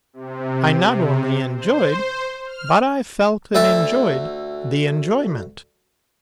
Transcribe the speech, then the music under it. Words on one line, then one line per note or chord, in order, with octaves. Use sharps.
I not only enjoyed, but I felt and enjoyed the enjoyment.
C3
C5
F6
D2 E5 A5